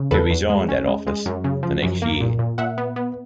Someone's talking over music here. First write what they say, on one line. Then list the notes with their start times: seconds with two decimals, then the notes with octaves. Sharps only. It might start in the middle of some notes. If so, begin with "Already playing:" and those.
He resigned that office the next year.
Already playing: C#3
0.11 E2 A4 B4
0.31 E2
0.50 G#3
0.69 C#4
0.88 G#3
1.07 G#3
1.26 F#2
1.44 C#3
1.63 F3
1.83 F#2
2.02 A#3
2.21 A#2
2.39 A#2
2.58 A#2 E5 F#5
2.78 B3
2.96 B3